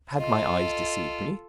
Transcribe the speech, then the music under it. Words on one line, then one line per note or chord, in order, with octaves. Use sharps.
Had my eyes deceived me?
F4 A4 D#5